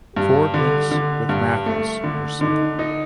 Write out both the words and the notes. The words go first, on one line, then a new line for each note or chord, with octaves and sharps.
Ford links with Mathis were severed.
G2 G4
D3 A4
D3
G2
A3
D3
D3 D#4
D#4